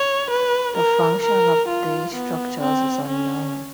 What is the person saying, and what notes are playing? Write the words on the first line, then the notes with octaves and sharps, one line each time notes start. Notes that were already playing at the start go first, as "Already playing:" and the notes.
The function of these structures is unknown.
Already playing: C#5
B4
A#4
A#4
F4
B3
C4
C#4